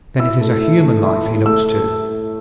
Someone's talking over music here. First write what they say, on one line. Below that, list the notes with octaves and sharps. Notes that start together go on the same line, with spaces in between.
Then it is a human life he looks to!
E4 E6
A3
E4
A3
E4
A2
A3 E6